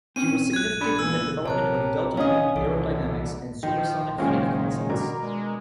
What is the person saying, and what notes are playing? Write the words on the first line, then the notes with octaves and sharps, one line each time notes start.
He was significant in the development of delta wing Aerodynamics and supersonic flight concepts.
C4 C#4 D#7
F#6 G#6
D4 B5
E2 A#2 E6
C3 A#4 C#5 A5 F#6
C#4 D#5 F5 G#5 D#6
C2 D3 E3 A4
D#3 F3 C5
F#1 A#2 D#3 G#3 A#3 C#4 A#4 C5
B2 D4 A#4
G#3